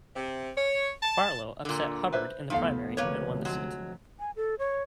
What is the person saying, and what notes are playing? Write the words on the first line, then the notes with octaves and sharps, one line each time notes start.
Barlow upset Hubbard in the primary and won the seat.
C3
C#5
A5
A#2 D3
B4 C5 E5
F1 D2 F3 B3 D#4 A4 F5
D2 C3 F3 A#3 B4 C#5
F#3 G#3
G#5
A4
C#5